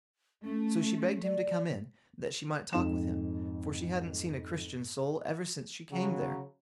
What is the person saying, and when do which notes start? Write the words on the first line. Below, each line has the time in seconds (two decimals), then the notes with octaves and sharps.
So she begged him to come in, that she might talk with him, for she hadn't seen a Christian soul ever since she came there.
0.45 A3 C#4
1.23 D5
2.73 F2 G#2 E7
5.92 C#3 F#3